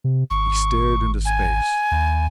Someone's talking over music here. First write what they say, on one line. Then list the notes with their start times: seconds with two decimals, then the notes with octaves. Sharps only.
He stared into space.
0.04 C3
0.31 G#1 C#6
1.25 G#5
1.91 D#2